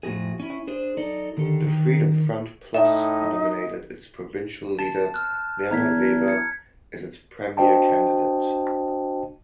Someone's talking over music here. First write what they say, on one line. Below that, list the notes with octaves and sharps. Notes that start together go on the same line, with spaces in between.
The Freedom Front Plus nominated its provincial leader Werner Weber as its premier candidate.
F2 A2 B3 F#4 G#4
C#4 E4
D4 G#4 C5
F#3 D#4 A4 D5
D3 D#3 G4 A4
D#3
A2 D#4 D#5 E5
A5 A6 E7
F6 F#6
E2 A#5 G#6 B6
G#6 C#7
D4 F#4 C5 D#5 G5 A5